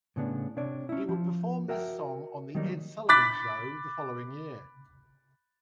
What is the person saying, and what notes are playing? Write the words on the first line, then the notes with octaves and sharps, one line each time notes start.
He would perform this song on The Ed Sullivan Show the following year.
A2 C#3 B3 D4
C3 D4 C#5 D5
C#4 E4
F3
F#4 A#4 E5 G5
D#3 F#3 G3 A#3 D#4
B5 D6 F#6 A6 B6